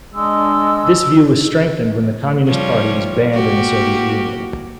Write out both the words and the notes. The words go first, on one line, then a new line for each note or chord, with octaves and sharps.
This view was strengthened when the Communist Party was banned in the Soviet Union.
G#3 D4 D#5 E6
F3 G3 C#5
A#3 F#4 G4